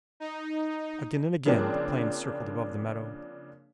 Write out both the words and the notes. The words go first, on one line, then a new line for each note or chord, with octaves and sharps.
Again and again the plane circled above the meadow.
D#4
C#3 F3 A#3 C4 D4